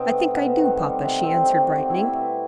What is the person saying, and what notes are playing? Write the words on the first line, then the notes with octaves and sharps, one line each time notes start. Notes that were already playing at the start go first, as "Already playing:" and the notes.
"I think I do, papa," she answered, brightening.
Already playing: B2 C4 D#4
A3
B2
D#3
G3
C3
C3 C4
D#3 C4
G3 F#4
A3 E4
B2